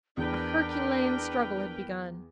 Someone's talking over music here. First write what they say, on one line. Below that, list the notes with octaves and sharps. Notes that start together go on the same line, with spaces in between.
A herculean struggle had begun.
E2 D4 A#4 B4 G5